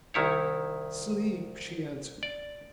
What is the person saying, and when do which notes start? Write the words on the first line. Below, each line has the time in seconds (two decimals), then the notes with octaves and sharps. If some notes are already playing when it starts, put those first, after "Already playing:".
"Sleep!" she answered.
0.14 C2 D#3 E4 C#5
2.23 D5